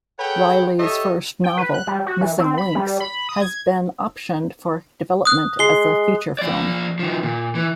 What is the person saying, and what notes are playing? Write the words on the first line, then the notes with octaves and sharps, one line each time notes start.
Reilly's first novel, "Missing Links", has been optioned for development as a feature film.
G#4 A4 B4 C#5 F#5 G5
G4 A4 C#5 D#5 E5
G5
B4
F#6
G3
F#4
E3
C4
B5
G3
B5
D#6
G#6
D#6 F#6
G#3 C7 G7
F3 D5
D#3 F3
A#2
E3